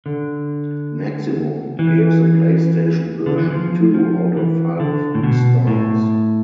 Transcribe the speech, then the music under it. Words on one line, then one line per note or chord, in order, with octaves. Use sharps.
"Maximum" gave the PlayStation version two out of five stars.
D3
E3
D3
E3
F3
F3
E3
D3
A2
B2
A2